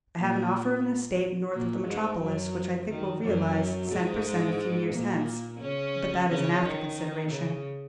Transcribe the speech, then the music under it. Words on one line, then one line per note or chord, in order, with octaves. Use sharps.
I have an offer of an estate north of the metropolis, which I think will realize cent per cent a few years hence: but that is an after consideration.
A#2 A#3
A#2 A#3
G#2 G#3
F#2 F#3
D#3
F#2 F#3
G#2 G#3
A#2 A#3
C#3 C#4
C#3 C#4
D#3
C#3